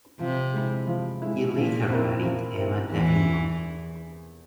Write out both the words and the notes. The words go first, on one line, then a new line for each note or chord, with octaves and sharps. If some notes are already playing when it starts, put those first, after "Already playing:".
He later married Emma Davignon.
C3 F3
G#3 E4
F3
G#3 E4
A#2 F3
C4 E4 A#4
F3
C4 E4 A#4
E2 E3